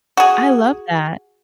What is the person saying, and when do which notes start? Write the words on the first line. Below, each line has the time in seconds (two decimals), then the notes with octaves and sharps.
I love that.
0.17 F#4 G#4